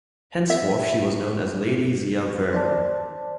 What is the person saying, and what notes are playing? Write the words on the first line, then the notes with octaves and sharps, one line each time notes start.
Henceforth she was known as Lady Zia Wernher.
E5
C5 D5 A5